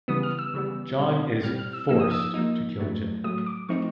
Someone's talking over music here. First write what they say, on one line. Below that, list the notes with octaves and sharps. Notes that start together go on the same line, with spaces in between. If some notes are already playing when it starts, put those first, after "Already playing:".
John is forced to kill Jill.
C#3 E3 G3 B3 D#6
F6
E6
C#3 E3 G3 B3
B2 G3 C4
B2 G3 C4 F6
F6
E6
F3 A#3 D#4 E6
D#6
E6
F3 A#3 D#4
A2 F#3 A3
A2 F#3 A3 D#6
D6
F3 A3 C4 D#4 C#6